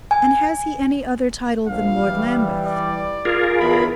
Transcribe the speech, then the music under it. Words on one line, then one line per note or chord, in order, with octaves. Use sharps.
"And has he any other title than Lord Lambeth?"
G#5
A#1 F5
E3 G3
D5
F4 G#4 A#4
E2 B5